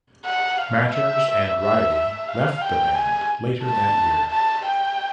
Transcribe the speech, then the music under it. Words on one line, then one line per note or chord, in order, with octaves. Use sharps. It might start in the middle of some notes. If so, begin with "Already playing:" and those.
Matters and Riley left the band later that year.
F#5
F5
E5
E5
E5
F5
G5
G#5
A5
A5
G5